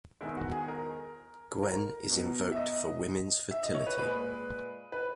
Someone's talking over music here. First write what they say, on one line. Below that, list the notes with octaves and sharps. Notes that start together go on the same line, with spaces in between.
Gwen is invoked for women's fertility.
E2 D#3 G#3 E4
F#4
G#4
A#4
A#4
B2 F#3
E5
D#5
E5
D#5
C#5
B4
A#2 G#3 B4
B4